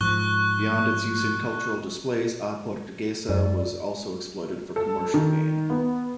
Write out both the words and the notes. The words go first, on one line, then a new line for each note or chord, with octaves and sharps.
Beyond its use in cultural displays, "A Portuguesa" was also exploited for commercial gain.
G#2 F3 C#6 F#6 G7
F#2 D5
A4
D#3
B3